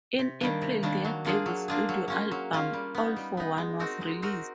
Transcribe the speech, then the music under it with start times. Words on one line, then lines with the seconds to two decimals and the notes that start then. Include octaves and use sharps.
In April, their debut studio album "All for One" was released.
0.19 C3
0.41 D#3 G3 A#3 D4
0.62 C3
0.83 D#3 G3 A#3 D4
1.05 F#3
1.25 A#3 D4 F4 G#4
1.46 F#3
1.68 A#3 D4 F4 G#4
1.89 F#3
2.08 A#3 C#4 F4
2.31 F#3
2.53 A#3 C#4 F4
2.73 G3
2.95 B3 D#4
3.16 G3
3.37 B3 D#4
3.58 G#3
3.79 C4 D#4 F#4 A#4
4.01 G#3
4.22 C4 D#4 F#4 A#4